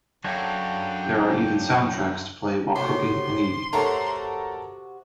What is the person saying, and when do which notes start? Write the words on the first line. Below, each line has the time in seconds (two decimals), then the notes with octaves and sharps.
There are even soundtracks to play while cooking and eating.
0.25 F#2 D4 F#4 A4 C#5 D5 F5 G5
2.76 A2 C3 F#3 C6
3.73 C3 A3 F#4 A4 A#4 C#5 A#5